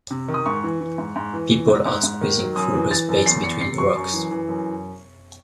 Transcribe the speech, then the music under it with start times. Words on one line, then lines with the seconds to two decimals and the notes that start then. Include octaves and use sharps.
People are squeezing through a space between rocks.
0.11 C3
0.28 D#3
0.34 D#6
0.46 G#2 C#6
0.64 E3
0.81 E3
0.98 G#2
1.16 G#2
1.34 E3
1.51 E3
1.68 G#2
1.86 G#2
2.03 G#2
2.21 D#3
2.39 F#3
2.56 F#2 D#6
2.74 E3
2.91 E3 A6
3.09 F#2
3.26 E2 C7
3.44 E2 C#7
3.61 C3 C7
3.78 F#3 C#6
3.96 F#2 C#6
4.14 E3
4.31 E3
4.49 F#2